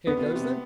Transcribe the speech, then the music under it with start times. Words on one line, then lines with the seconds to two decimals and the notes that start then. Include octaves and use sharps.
Here goes then ...
0.07 D3 B3
0.16 C3
0.25 B2
0.35 C3